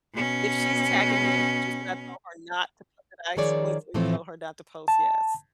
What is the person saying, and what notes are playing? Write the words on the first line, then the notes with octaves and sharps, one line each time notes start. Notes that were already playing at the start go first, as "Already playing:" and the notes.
If she's tagging me in pictures that I told her not to post I explicitly told her not to post, yes.
B2 C#4
D#3 F3 G#4 C#5 D5
A2 E3 F3 A3 C4
A5